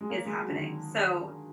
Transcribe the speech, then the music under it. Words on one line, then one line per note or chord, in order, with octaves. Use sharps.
is happening?" So
G#3
A#3
G#3
F#3
D3
D#3